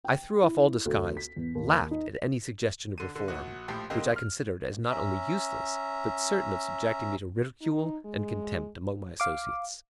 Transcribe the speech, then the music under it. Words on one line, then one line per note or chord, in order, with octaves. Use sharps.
I threw off all disguise, laughed at any suggestion of reform, which I considered as not only useless, but certain of subjecting me to ridicule and contempt among my associates.
G5
E4
D2
B6
E2
D#2
D#4
D3 D#7
D3
A#1 F#4
A#1 A2 F3 G4
D3 A#3 C4 D#4 G4
F6
C#4 E5 A#5
D#4
G#3
F5 D6